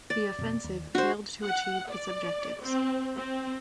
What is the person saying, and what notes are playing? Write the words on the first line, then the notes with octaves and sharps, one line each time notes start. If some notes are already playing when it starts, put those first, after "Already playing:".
The offensive failed to achieve its objectives.
D5
F2 B2
D#2
D4 F#4 C5
F#5
D5
C4
C4